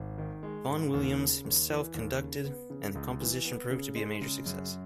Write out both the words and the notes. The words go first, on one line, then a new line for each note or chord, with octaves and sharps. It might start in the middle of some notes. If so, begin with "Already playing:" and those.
Vaughan Williams himself conducted, and the composition proved to be a major success.
Already playing: G#1
D#3
G#3
G#2
D#2
C#3
D#2
E3
D#2
C#3
B3
C#3
C#2
E3
B3
C#3
G#3
C#3
F#2